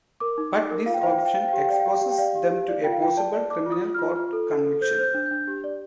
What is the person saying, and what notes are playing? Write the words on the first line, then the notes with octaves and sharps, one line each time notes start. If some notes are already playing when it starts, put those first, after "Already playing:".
But this option exposes them to a possible criminal court conviction.
A#4 D6
D#4
D#4
A#4
F4 F5
G5
C5 F5
G5
C5 F5
G5
F5
C5 G5
F5
G4 G5
F5
D5 G5
F5
G4 G5
F5
G4
G5
D5 F5
G4
G4
D5
F4 G5
F5
F4 G5
D5 A5
D5
D5 D6
F4
D#6
F4
F4 F6
F4 F6
A4
A4
A4
C5 G6
C5 G6
D4
G6
D4
G4
D5